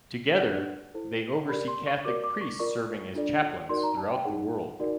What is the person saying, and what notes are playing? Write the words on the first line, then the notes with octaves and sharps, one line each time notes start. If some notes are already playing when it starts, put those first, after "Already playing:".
Together, they oversee Catholic priests serving as chaplains throughout the world.
D4 G4 B4 D5 F#5
E4 A4 C5
G4 A#4 D5 B5
C6
C#6
F#4 A#4 D5 D6
D6
C#6
F4 A#4 D5 C#6
D4 F4 A4 D5
D#4 F#4 A#4 D5 C6
A#5
A5
G5
D#4 G#4 C#5 F#5
D#4 F#4 A#4 D5